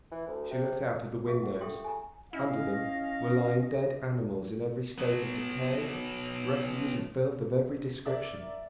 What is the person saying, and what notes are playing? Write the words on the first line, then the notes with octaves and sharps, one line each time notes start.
She looked out of the windows; under them were lying dead animals in every state of decay, refuse and filth of every description.
E3
D2
C3
F4 G4 G#4 E5 F5
F#5
G4 A4 E5 G5 C6
G#5 A#5
C#4 E4 D#5 F5
F#3 B3
A#4 D5 E5